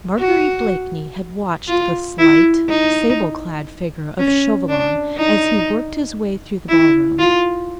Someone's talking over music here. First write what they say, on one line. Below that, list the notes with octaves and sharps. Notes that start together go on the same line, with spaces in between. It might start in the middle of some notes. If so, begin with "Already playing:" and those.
Marguerite Blakeney had watched the slight sable-clad figure of Chauvelin, as he worked his way through the ball-room.
F#4
F4
E4
D#4
C#4
D4
D#4
E4
F4